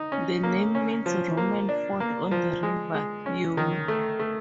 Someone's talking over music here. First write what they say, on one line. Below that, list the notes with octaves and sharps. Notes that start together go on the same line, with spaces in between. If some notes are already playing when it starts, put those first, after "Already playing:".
The name means 'Roman fort on the River Yeo'.
Already playing: D#4
C#4
A#3
C#4
F3
A#3
D4
A#3
F3
G#3
G#3
C#4
D#3
A3
A3